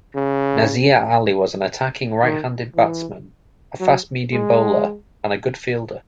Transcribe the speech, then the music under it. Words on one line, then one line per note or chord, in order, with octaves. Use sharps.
Nazir Ali was an attacking right-handed batsman, a fast-medium bowler and a good fielder.
C#3
D#3
E3
F#3
G#3